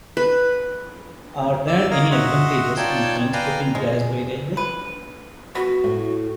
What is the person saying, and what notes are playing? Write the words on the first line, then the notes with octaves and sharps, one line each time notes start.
Are there any advantages in transporting gas by railway?
B4
D5 D6 E6
A#3 A#4 C#5 D#5 F5 A#5
F#4 D#5 E5 F#5 C6
D#4 F4 C#5 D5 G5 A5
B4 D5 F5 G5 G#5 A#5
G#3 G#5
B4
B3 F#4
A2 A3